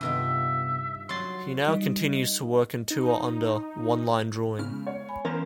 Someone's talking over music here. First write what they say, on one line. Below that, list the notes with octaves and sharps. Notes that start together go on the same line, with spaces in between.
He now continues to work and tour under onelinedrawing'.
G2 C3 D#3 B3 F4 E5
F#3 F#4 C6 A6 C7
G3 D#4 D#5
D#4
C#3 G#3 B3 F6
C#5
G#5 B5
E3 B3 C#4 A#4 C5